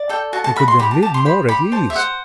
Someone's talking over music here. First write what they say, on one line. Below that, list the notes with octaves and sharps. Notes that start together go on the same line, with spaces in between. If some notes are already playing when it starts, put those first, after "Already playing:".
I could then live more at ease.
Already playing: D5
A4 G5
F#4 A5
A5
F#4 B5
C6
G4 B5
A5
G4 A5
C6
C5 B5
G4 B5
C5 A5
E5
C5 F#5